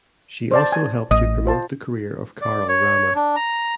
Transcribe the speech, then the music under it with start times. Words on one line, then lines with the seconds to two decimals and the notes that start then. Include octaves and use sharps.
She also helped to promote the career of Carol Rama.
0.51 C5 D5 A5
0.72 G#5
1.11 A1 D#5 D#6
1.46 F4 C5 A5
2.41 D5
2.68 C#5
3.15 D4
3.36 A#5